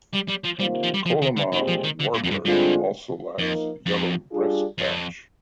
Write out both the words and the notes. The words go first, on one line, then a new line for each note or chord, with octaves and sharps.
Colima Warbler also lacks yellow breast patch.
G3
G3
F3
C3 D#3 G3 A#3 F4 C5
F3
G3
F3
D#3
D3
A#2 D#3 G#3 C4 G4
F3
D#3
D3
A#2
F2
G2
G2 D3 G#3 C4 F4
F2 F3 A#3 D#4 A#4
F2
G3 D4 F4 G#4
F2